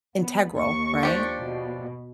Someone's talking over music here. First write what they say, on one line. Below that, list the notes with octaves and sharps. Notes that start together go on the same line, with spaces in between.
integral, right?
B3
D#2 C#6
F3 D4 G4
B2